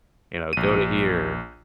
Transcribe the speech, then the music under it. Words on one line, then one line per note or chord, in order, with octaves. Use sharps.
you know, "go to here,"
A#1 D#7